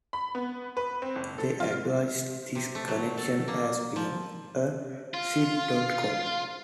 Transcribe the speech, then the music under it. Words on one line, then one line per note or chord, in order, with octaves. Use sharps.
They advertised this connection as being a "sit dot com".
B5
B3
B4
C4
F#1
A4
F4
C3
A3
F#3
A4
A#3
F3
F4